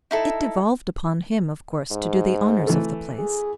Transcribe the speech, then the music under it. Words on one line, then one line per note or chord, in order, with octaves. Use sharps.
It devolved upon him of course to do the honours of the place.
D#4 E4 A4
G#2
E3 A3
G#4